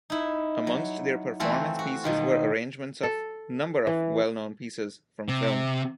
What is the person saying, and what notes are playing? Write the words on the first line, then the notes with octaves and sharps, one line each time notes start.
Amongst their performance pieces were arrangements of number of well known pieces from Film.
D#4 E4
F#3
E3 A3 C4 F4 F#4
F#4
B2 D#3 F4
A4
E3
C3